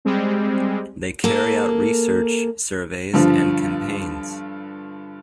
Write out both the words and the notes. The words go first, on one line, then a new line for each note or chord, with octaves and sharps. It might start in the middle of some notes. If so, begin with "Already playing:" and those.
They carry out research, surveys and campaigns.
G3 G#3 C4
A#3 G#4 A4
G2 D3 F3